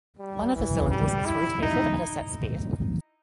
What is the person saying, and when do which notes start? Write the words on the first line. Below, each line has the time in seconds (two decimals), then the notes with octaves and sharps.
One of the cylinders is rotated at a set speed.
0.19 G3
0.55 E3
0.91 G3
1.26 E4
1.62 D#4